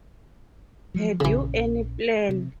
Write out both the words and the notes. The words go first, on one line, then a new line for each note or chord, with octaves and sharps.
Had you any plan?
F3 F#3
A#1 C#3 E3 C#4
C3